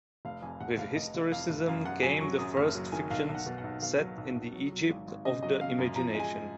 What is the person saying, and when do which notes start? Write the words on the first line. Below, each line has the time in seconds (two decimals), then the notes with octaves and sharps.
With historicism came the first fictions set in the Egypt of the imagination.
0.25 F1 F5
0.42 F2 G#5
0.60 F1 F#5
0.71 F#5
0.78 F1 F5
0.96 F1 D#5
1.15 F1
1.32 F2 F5
1.50 F1
1.68 F#2 F5
1.85 F#2 F#5
2.03 F#3 G#5
2.21 F#3 C#6
2.39 F#2 D#6
2.57 F#1 F6
2.75 F#3
2.92 D#3 G#5
3.10 B1 F5
3.29 B1
3.35 F#5
3.46 B2
3.58 F#5
3.64 B1
3.82 B2 F5
3.99 F#3
4.17 B1
4.36 B1
4.53 F#3
4.72 F#3
4.89 G#1
5.08 G#1
5.25 C#3 D#5
5.43 F#3 D#5
5.61 C#3 F5
5.78 F#2
5.96 F3 A#5
6.15 G#3 G#5